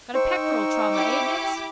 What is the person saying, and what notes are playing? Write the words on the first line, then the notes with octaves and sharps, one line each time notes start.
Got a pectoral trauma, eh, Dix?
D#4 C5 G5 C#6 E6
E4 G4 D6